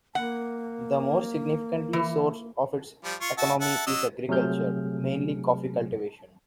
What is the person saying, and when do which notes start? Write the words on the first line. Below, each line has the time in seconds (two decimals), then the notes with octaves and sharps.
The more significantly source of its economy is agriculture, mainly coffee cultivation.
0.15 A#3 F#5
1.93 E3
3.04 F3 G3
3.21 F4 C#6
3.38 F#4 E5 A5
3.61 E5 F#5 A5
3.87 F#3 D#5 E6
4.29 C3 F#3 A3 G#4 F6 G6